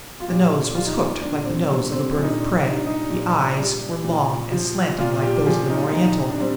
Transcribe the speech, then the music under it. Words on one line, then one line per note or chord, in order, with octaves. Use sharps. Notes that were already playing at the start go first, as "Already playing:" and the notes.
The nose was hooked like the nose of a bird of prey; the eyes were long and slanting like those of an Oriental.
F4
A#2 G4
G3 F4
D#4
F4
A#2 D4
C4
G3 C4
C4
A#2 D4
D#4
D4
G3 D#4
D4
D#4
A#2
G3
A#2
F3
A#2 F4
G4
F3 G#4
D#4
F4
A#2 D#4
D4
G3 C4